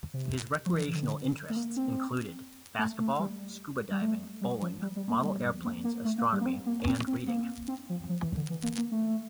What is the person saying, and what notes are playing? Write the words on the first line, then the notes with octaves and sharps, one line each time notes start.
His recreational interests include basketball, scuba diving, bowling, model airplanes, astronomy and reading.
C3
F3
E3
D3
A3
A#3
C4
A3
A3
G3
G3
A3
G3
F3
G3
G3
A#3
G3
A#3
A#3
A3
A#3
G3
A#3
C4
A#3
C4
C4
A#3
C4
F3
F3
E3
D3
E3
A#3
A#3
A3